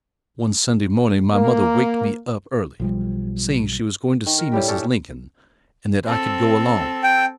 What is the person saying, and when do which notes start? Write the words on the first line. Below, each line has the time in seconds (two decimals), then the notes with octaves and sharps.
One Sunday morning my mother waked me up early, saying she was going to see Mrs. Lincoln, and that I could go along.
1.33 A#3
2.80 B1 F3 G3
4.26 D#3
4.38 A#4
4.52 A2 G3 G4
4.68 C#4 D4 G4 A4
6.05 C4 A4
7.04 G5